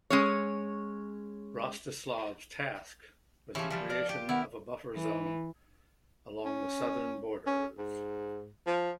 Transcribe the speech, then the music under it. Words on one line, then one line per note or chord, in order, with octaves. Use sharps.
Rostislav's task was the creation of a buffer zone along the southern borders.
G#3 C#4 C#5
E3 F3 C#4 G4 G#4
D3 F3 G3 A3
A#4 D5 A5
F4 G4
D#3 B3 E4 A#4
E3
C#4
C#4
G#2
F3